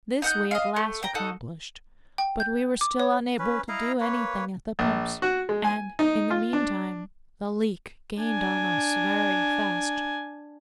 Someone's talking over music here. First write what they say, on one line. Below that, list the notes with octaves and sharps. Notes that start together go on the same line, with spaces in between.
This we at last accomplished--but we were still unable to do any thing at the pumps; and, in the meantime, the leak gained on us very fast.
D#4 F#5 G6
D#5 F5
A3
G5 A#5
D#4 F#4 A4
G5
G6
D6
C#5
C#4 B4
E4 D#5 F5 A#5
A#3 B4 C#5
A#1
F#4
G#3
G#5
D#4
F4
D4
D4 G#5